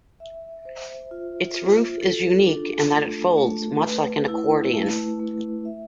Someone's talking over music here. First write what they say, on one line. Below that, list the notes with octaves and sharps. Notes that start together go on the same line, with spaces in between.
Its roof is unique in that it folds much like an accordion.
E5
C5
F4
F4
A4
D4
A3
A3
B4
E4
A3
A3
E5